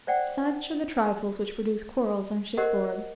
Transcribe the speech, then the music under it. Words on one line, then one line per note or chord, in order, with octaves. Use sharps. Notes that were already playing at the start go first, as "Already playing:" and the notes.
Such are the trifles which produce quarrels on shipboard.
C5 D5 F#5 G5
G4 A#4 C5 D5 D#5 F#5